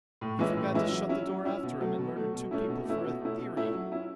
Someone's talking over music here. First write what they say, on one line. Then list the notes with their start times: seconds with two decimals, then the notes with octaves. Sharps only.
He forgot to shut the door after him, and murdered two people for a theory.
0.21 A2
0.39 E3 G#3 C#4 E4
0.57 A2
0.74 E3 G#3 C#4 E4
0.92 F#3
1.09 C#4 E4
1.27 F#3
1.45 C#4 E4
1.63 B2
1.80 F#3 A3
1.98 B2
2.16 F#3 A3
2.33 B2
2.51 A3 C#4 E4
2.69 B2
2.85 A3 C#4 E4
3.04 B2
3.21 A3 C#4 E4
3.39 B2
3.56 A3 C#4 E4
3.73 F#3
3.92 C#4 E4